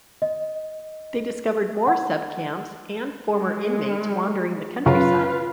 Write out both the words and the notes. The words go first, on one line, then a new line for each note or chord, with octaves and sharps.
They discovered more subcamps and former inmates wandering the countryside.
D#5
F#5
G#3
F#2 C#3 F#3 F4 B4